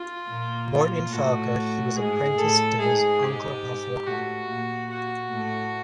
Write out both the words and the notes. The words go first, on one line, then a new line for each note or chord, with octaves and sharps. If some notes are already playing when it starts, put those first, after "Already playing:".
Born in Falkirk, he was apprenticed to his uncle Ralph Walker.
Already playing: F4
A#2 A#3
F4
A2 A3 F#4
G#2 G#3 G#4
A2 A3 A4
G#2 G#3 G#4
G4
A2 A3 F#4
A#2 A#3
F#4
A2 A3